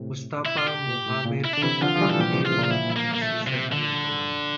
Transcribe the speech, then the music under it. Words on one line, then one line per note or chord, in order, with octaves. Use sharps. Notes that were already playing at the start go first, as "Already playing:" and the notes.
Mustafa Mohamed Fadhil was his second-in-command.
Already playing: A2 C3
E4
F4
G4
A#2
A2
A#2
E4
D4
D3
C3 E3 E4
D3 F3 F4
F3
E3 G3
A4
A#2 G4
F4
A#2
F4
E4
A#3
A#3
A3
C3
D3